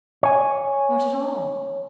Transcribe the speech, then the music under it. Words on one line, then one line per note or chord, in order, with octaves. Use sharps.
Not at all.
C#5 G#5